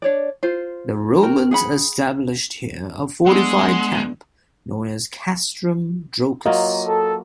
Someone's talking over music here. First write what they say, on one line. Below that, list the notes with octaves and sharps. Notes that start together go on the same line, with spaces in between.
The Romans established here a fortified camp known as Castrum Drocas.
D4 C#5 D5
F4 C5
F#4 A#4 G5
G#4 F#5 B5
G#3 B3 D4 E5 F#5 C6
F#3 A#3 F4 D#5
A4